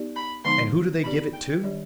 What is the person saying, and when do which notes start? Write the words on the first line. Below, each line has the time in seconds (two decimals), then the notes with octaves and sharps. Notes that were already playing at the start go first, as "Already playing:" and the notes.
And who do they give it to?
Already playing: B3 D#4 G4 D5
0.16 B5
0.44 D3 F3 G#3 B3 D#4 C6
1.04 B3 D#4 G4 D5 B5
1.33 G5
1.63 D#3 G3 D4 G4 D5